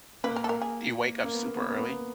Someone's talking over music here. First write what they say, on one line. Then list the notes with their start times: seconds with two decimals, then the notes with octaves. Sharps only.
Uh-huh. Do you wake up super early?
0.24 A#3 B4
0.36 A#4
0.44 A4
0.49 A#4
0.62 G#4
1.24 A#3
1.34 B3
1.46 A#3
1.56 B3
1.67 A#3
1.78 B3
1.89 A#3